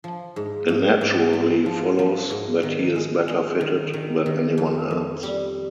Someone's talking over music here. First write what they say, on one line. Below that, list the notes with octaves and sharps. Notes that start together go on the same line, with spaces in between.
It naturally follows that he is better fitted than anyone else.
F3
G#2
G#2
G#2
G#2
F3
F3
G#2
D#3
G#3
G#3
D#3
D#3
D#3
F2
F2
G3